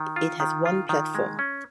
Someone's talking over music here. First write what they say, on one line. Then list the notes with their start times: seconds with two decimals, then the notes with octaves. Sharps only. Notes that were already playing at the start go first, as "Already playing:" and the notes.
It has One platform.
Already playing: D#3
0.16 F4
0.40 D#3
0.66 F4
0.89 D#3
1.15 G#3
1.39 C#4